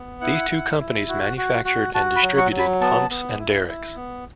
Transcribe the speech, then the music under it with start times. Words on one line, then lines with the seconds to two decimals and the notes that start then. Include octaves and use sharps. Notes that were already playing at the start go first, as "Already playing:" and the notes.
These two companies manufactured and distributed pumps and derricks.
Already playing: B3
0.21 E4 F#5
0.50 E4
0.79 E4
1.09 F#4
1.37 F#4
1.65 F#4
1.94 F#4 A5
2.16 B5
2.23 F#3
2.38 C#6
2.52 F#3
2.59 B5
2.81 B3 A5
3.10 B3
3.39 E4
3.68 E4
3.96 B3